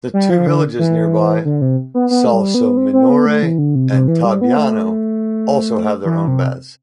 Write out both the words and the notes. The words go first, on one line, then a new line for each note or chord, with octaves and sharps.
The two villages nearby, Salsominore and Tabiano, have also their own baths.
G3
F3
D3
E3
D3
C3
B3
B3
A3
G3
B3
C4
C4
B3
A3
E3
D3
C3
C3
E3
G3
B3
A3
E3
C3